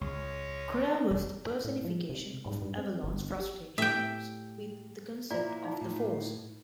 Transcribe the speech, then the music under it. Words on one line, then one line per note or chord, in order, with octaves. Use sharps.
Kreia was the personification of Avellone's frustrations with the concept of the Force.
C#2 G#3 C#4
E1
A2
F3
C3
G#2
G2
C4
G1
G4
A2 A3 G4 E5 G5
A#2 E4 D5 A#5
D#4
A2